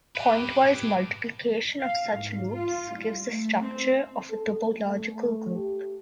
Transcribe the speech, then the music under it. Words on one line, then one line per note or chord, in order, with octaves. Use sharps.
Pointwise multiplication of such loops gives the structure of a topological group.
G4 B4
F5
G#2
F4
G3
A3
C4
A4
A3
A3
G4